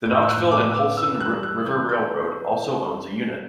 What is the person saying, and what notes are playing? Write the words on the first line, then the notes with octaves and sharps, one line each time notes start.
The Knoxville and Holston River Railroad also owns a unit.
A2 G6
E6
F#6
A2
D6
B3
D6
E3 E6
F#6
G3
F#6
E3
G6
B3 G6
B3
E3
G3
G3